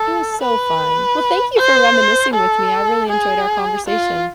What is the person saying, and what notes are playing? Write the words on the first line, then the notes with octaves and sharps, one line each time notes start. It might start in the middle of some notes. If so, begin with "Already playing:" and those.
it was so fun. Well, thank you for reminiscing with me, I really enjoyed our conversation.
Already playing: A4
B4
C5
A4
G#4
F4